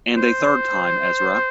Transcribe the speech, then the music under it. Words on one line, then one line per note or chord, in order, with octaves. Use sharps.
And a third time - Ezra!
C5